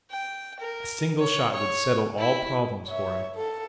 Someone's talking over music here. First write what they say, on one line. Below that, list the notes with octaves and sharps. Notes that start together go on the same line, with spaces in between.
A single shot would settle all problems for him....
G5
A#4
C#5
C#5
E4
C#5 E5
A4